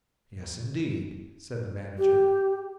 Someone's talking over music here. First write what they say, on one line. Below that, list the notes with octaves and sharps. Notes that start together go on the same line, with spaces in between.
"Yes, indeed," said the manager.
G4